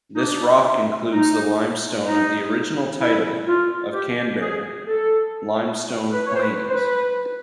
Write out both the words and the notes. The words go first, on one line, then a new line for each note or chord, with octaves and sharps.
This rock includes the limestone of the original title of Canberra "Limestone Plains".
D#4
D4
D#4
D#4
E4
F4
G4
G#4
A4
B4
C#5
C5
B4
C5
B4